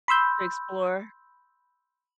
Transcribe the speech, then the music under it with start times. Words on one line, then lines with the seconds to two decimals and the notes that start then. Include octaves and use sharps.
To explore?
0.08 B5 C6 E6 G6